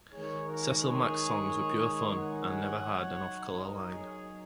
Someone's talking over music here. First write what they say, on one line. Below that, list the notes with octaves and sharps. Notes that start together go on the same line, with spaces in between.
Cecil Mack's songs were pure fun and never had an off-color line.
D#3 G#3 D#4 G#4 C#5
F#4 A#4
G#4 C#5
C#5 F#5
F#3 D#4
A#4 D#5
G#4 C#5